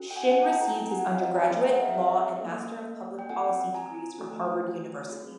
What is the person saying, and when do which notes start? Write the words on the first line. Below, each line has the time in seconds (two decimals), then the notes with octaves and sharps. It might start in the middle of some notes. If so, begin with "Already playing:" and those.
Shin received his undergraduate, law, and Master of Public Policy degrees from Harvard University.
Already playing: C#4 F#4 A4
0.11 G5
0.16 F#5 G#5
0.31 F#5 G#5
0.43 G#5
0.46 G5 A5
0.61 C4 E4 A4 G#5 A#5
0.76 G#5 A#5
0.91 F#5 G#5
1.05 F5 G5
1.20 D#5 F5
1.35 G#5 A#5
1.50 C4 F4 G#4 G#5 A#5
1.61 G5
1.65 E5 F#5
1.80 D#5 F5
1.90 E5
1.95 D#5 F5
2.41 A#3 C#4 F4 A4
3.19 G5
3.29 C4 F4 A4 F#5 G#5
3.74 G#5 A#5
4.18 A3 C#4 F#4 A4
5.08 C4 F4 G#4